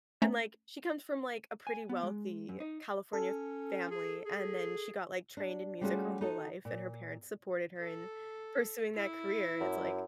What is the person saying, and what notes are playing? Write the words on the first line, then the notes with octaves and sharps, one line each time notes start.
and, like, she comes from, like, a pretty wealthy California family, and then she got, like, trained in music her whole life, and her parents supported her in pursuing that career, and it's like,
A3 C#4 C5 A#5
G#5
B3
G#3
F#2
D#4
C#4 A4
G#4
G#4
D4
G3 A3 C#4 F4 F#4 G#4
D#4 F#4 A4 D#5
A#2
A4
E4
F#2